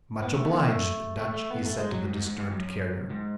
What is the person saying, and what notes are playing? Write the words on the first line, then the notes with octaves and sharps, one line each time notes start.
"Much obliged, Dutch," he said to the disturbed carrier.
B3
A3
B3
A3
A3
A3
B3
A3
G#3
F#3
G#2
G#2
G#2
G#2
F#2
G#2